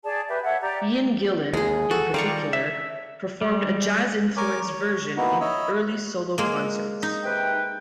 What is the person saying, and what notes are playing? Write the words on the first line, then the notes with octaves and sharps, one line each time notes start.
Ian Gillan in particular performed a jazz-influenced version in early solo concerts.
G#4 D5 A5
G4 B4 E5
A4 C#5 E5 F#5
G4 D5 A#5
D#2 G#3 G#4
F#4 A4
D#3 G3 F4 D5 A#5 C#6
E5
G3 G#3
A#4 C#5 G#5 D6
C#5
A#3 B3 D#4 E4 F#4
C#5 D#5 E5 B5
G#3 A#3
D#4
C3 B4 G5